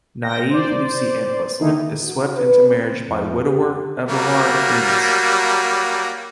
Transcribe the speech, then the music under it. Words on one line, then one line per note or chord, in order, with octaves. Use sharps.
Naive Lucy Entwhistle is swept into marriage by widower, Everard Wemyss.
G5 A#6
C5 D5
D3 D#3 A#3 D#4 E4
F#4
B4
C4
F2
G4
F#3 G3 A#3